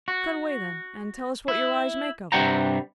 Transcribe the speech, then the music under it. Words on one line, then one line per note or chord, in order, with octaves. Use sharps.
'Cut away then, and tell us what your eyes make of it.'
F#4
E4
G2 C3 G3 F#5 G5 A#5